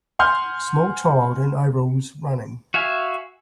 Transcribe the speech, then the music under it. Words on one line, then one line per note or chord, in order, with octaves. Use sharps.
A small child in overalls running.
F#5 G#5 C6 F6 G6
F#4 E5 F5 G#5